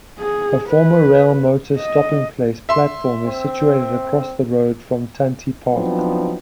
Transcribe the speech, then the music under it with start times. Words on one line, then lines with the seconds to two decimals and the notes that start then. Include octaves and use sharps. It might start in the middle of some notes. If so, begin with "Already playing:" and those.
A former Railmotor Stopping Place platform is situated across the road from Tanti Park.
0.19 G#4
0.69 B4
1.78 D#5
2.69 E5 C6
3.26 C4
5.72 F3 F#3 B3 C4 D4 D#4